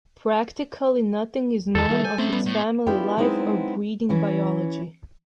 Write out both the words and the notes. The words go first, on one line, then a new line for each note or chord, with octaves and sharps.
Practically nothing is known of its family life or breeding biology.
E2 D#3 E3 A4 A5
G3 E5
G#5 G6
A3 C4 C#4 E5
G3 B3
A2
B3 D4 E4 F4 G4 A4
F#3 G#3 B3 C4 D#4 E4
E3 C#4 E4